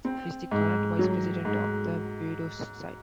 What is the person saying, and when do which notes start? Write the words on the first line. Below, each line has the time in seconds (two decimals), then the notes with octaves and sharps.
He is the current Vice-President of the Boedo's side.
0.05 C4
0.51 G#2
0.99 F#3
1.45 G#2